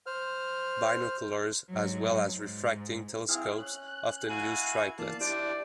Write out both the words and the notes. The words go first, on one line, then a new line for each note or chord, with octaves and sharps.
Binoculars as well as refracting telescopes often use triplets.
C5 F6
G#2 F#3
G#2
C4 E4 G#4 F5
C#4 F#6
E4 F#4 F5 G#5
E3 A#3 D5 F5 A5
D4 E4 G4 C5 D5